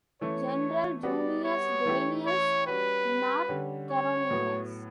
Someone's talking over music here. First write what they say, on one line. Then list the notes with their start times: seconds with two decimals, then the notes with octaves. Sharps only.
General Junius Daniel's North Carolinians.
0.21 E3 A3 C#4 C#5
1.03 G3 B3 F#4 D5
1.44 C#5
1.85 E3 A3 C#4 E4 G4
2.26 C#5
2.67 G3 C#4 F#4 B4
3.49 D3 G3 C#4 G4
3.89 C#5
4.30 A2 F#3 B3